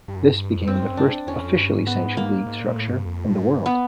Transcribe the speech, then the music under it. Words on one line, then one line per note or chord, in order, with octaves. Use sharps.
This became the first "officially" sanctioned league structure in the world.
G2
F#2
G2
F2
F#2 C4
G#2
F#2
G2 D4
E2 C#4
F2
G2
G#2
B3
A#3
G#2
A#2
A2
G2
F2
A2
G#2
G2
B3